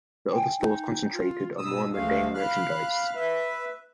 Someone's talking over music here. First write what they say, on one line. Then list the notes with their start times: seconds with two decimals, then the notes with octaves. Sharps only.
The other stalls concentrated on more mundane merchandise.
0.33 G5 G#5
0.60 D#4
1.13 F4
1.58 B2 D#6 E6
1.93 D2 G#3 A3 F5
2.34 F5 B5 F6 F#6
3.15 B4 E5